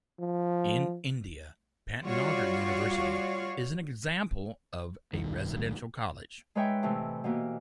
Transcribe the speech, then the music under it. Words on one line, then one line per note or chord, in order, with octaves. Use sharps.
In India, Pantnagar University is an example of a residential college.
F3
G3 F4 F#4 C#5 D5 F5
B1 G2 D#3
G#3 D#4 B4 C#5 E5 G5
A2 C3 E3
B2 E3 A#3 B3